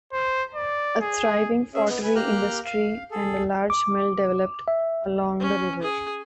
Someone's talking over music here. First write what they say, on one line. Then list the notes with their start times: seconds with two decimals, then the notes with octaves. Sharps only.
A thriving pottery industry and a large mill developed along the river.
0.13 C5
0.55 D5
1.01 G#4
1.74 C#4 G#4 E5
1.89 B3
2.03 B4 G#5
2.15 A#3 G4 G5 A#5 F6 F#6
2.65 F5
3.11 G#4 A4
3.70 D6
4.68 E5
5.40 C#4
5.82 G#4